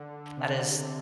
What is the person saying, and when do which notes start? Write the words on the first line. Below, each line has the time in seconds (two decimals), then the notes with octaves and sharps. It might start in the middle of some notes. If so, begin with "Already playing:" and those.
That is
Already playing: D3
0.37 C3